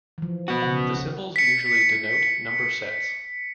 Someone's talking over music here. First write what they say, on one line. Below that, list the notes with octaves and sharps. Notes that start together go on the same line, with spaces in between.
The symbols usually denote number sets.
E3 F3
B3 F#4
C#3 F#5
B6 C#7